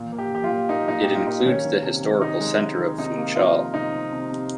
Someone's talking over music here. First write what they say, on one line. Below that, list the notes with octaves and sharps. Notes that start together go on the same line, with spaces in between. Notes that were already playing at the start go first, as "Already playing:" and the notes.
It includes the historical centre of Funchal.
Already playing: A#2
A#3
G4
A#2 G4
F4
A#2
A#3 D#4
A#2 D#4
A#2 G4
F4
A#3 D#4
D#3 C#4
D#3
C3
D#3
D#3 D#4
G#3
G#3
D#3
C3 D#4
A#3
F3 F4
A#3
C3 D#4
C3
C3
C3